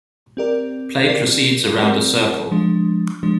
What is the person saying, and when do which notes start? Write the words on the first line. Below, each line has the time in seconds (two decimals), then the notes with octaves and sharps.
Play proceeds around a circle.
0.37 C4 G4 A#4 D5
1.08 C4 G4 A#4 D5
1.80 C4 G4 A#4 D5
2.51 F3 G#3 D4
3.23 F3 G#3 D4